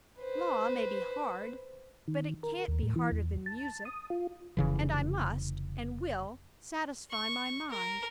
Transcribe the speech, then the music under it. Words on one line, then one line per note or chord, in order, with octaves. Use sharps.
Law may be hard, but it can't be harder than music; and I must, and will, satisfy my mind.
B4 C5
D#3
A#4
D#2
A2
E3
E2
A5
D#6
F4
F1 C#3 E3
C#6
A#4